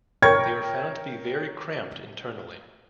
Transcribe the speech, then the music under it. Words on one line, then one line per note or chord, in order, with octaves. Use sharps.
They were found to be very cramped internally.
A#4 C#5 G5 C#6 G#6